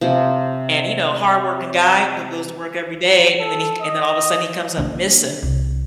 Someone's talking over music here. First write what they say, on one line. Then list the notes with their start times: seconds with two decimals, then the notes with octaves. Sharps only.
And, you know, hardworking guy go goes to work every day and then he and then all of a sudden he comes up missing.
0.01 C3 F3
3.40 A4
3.81 D#5
4.78 D3 A#3
5.43 C2